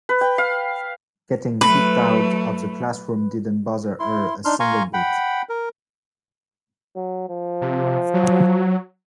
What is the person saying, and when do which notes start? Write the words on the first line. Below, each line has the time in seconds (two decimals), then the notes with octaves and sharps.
Getting kicked out of the classroom didn't bother her a single bit.
0.09 B4
0.21 G5
0.38 F5
1.61 F#3 A3 B4
3.99 E4 C6
4.45 D4 D#4 C6 F6
4.60 F5 G#5 A#5 C6 C#6
4.93 F#5 G5 B5
5.49 A#4
6.96 F#3
7.29 F3
7.61 C3
8.14 F#3